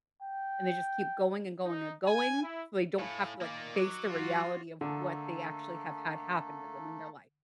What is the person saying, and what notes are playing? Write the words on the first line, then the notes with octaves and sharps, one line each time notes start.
and they just keep going and going and going so they don't have to, like, face the reality of what they actually have had happen to them in their life.
G5
D#4
G#5
E4
A2 F5 G#5 B5
D#3 A#3 D5
F#3 D6 F#6
F4 F#4
D3 A3 A#3 A4